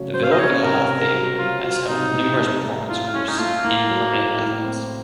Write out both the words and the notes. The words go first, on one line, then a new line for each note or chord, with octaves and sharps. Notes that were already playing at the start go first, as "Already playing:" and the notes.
The Vila Velha Theater has held numerous performance groups in permanent residence.
Already playing: C#3 F#3 A3 C#4
F#3 C5
F5
D#5
C#4 C#5
C3 A#4
C4
A#4
F#3
F#3 F4
F#3 F4
C3 D#4
A2
A3
A3
A2 F4
A2 C#4
D#4
A3 F4
A2 A#3
F#3
A2
A2
C4